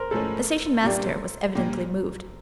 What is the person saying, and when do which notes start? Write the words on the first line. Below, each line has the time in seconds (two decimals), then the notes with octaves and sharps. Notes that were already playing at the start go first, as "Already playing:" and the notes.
The station-master was evidently moved.
Already playing: A#4 C5
0.11 A2 F3 G#3 C#4 A4
0.83 A#2 G3 A#3 D4 G4
1.55 A#2 G3 A#3 D4 G4